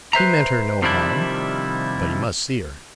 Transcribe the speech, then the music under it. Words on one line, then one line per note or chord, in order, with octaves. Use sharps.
He meant her no harm--but he must see her.
B4 C5 E5 A#5
C3 D#3 F3 G3 D4 E4